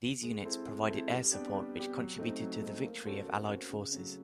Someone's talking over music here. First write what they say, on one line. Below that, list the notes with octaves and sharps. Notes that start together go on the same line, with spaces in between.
These units provided air support which contributed to the victory of allied forces.
G#3
C4 E4 A4 C5
G#3
C4 E4 A4 C5
G3
B3 D4 G4
G3
B3 D4 G4
F#3
A3 C4 D#4
F#3
A3 C4 D#4
A#3
C#4 F#4 A4 C5
A#3
C#4 F#4 A4 C5
C#3
F#3 A3 C#4